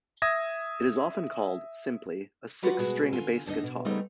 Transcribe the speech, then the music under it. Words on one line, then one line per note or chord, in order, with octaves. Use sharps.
It is often called, simply, a "six string bass guitar".
E5 D#6 G#6 A#6
F#3 G3 F4 F#4 B4 F#5
B2 G#3 F#4 G#4
D3 F4 G#5
D#2 D3 A3 D#4 D#5
B2
C#3 G3 A3 B3 C4 D#4